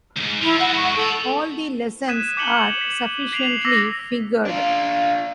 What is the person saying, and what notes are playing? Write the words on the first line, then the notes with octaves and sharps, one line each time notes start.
All the lessons are sufficiently fingered.
D2 G#2
F3 E4
G#3 F#4 F#5
C#6
A4 G5 B5
D#6 F#6 G#6 B6 D#7 E7
D6 G6 B6 C#7 F#7 G7
B6
B6 C7 D7 F7
D6 E6 A#6 B6
D4 F4